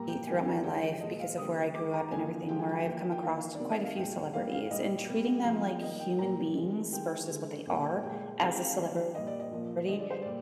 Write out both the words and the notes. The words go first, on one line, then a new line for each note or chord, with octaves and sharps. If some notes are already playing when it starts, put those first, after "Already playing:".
throughout my life, because of where I grew up and everything, where I've come across quite a few celebrities, and treating them like human beings, versus what they are as a celebrity
Already playing: A#2 G3 A#3 A#5
G5
C3 D#3 G3 A#3 G#5
G#5
D3 F3 G#3 G5
A#2 G#3 D#5
F5
D3 G3 A#3 D#6
D#3 G#3 D6
A#5
D3 F3 A#3 G#5
D3 F3 G#3 G5
G#5
G5
D#3 A#3 G5
G5
D#3 A#3 F5
C3 D#3 A#3 D5
D#5
F5
A#2 G#3 G5
D#3 G3 A#3 F5
F5
A#2 G3 A#3 D#5
C3 G3 A#3
C3 F3 G#3 F5
G5
D#3 A#3 D#5
G5
A#2 G3 A#3 A#5
C3 D#3 G#3
D#3 G#3 G5
D3 G#3
A#2 G3 A#3
A#2 G#3 G5
C3 D#3 G#3 F5
G5
F5
D#3 G3 A#3
A#2 G3 A#3 D#5
D5
D#5
A#2 F3 A#3
D3 G#3 D#5
D5
C5
A#2 G3 D5